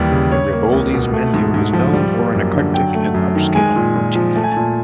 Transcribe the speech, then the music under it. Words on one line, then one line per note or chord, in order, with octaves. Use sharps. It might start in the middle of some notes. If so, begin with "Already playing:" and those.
The Rivoli's menu is known for an eclectic and upscale motif.
Already playing: D#2 E3 G3
C#3
G3 C#5
A#3
C#2
B2
A3
G#2
G#2
F3
G3
A#3
F#2
D3
F#3 G5
A3
F#2
D#3
G#3 G#5
A#2
A#2
F3
A3 A5
G#5
A#2 A5